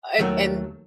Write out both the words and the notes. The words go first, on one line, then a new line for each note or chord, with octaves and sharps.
and and
D#2 D#3 F#3 A3 A#3